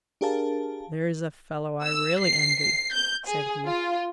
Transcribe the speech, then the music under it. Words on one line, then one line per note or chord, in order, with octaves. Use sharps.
"There's a fellow I really envy," said he.
D4 G4 G#4 A#4 F5 A5
E6
C7
C7
G6
G#4
F4